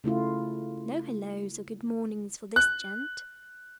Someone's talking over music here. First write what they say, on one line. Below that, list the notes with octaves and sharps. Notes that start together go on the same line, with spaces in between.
No hellos or good mornings for this gent!
C#3 A3 E4 F4
F#6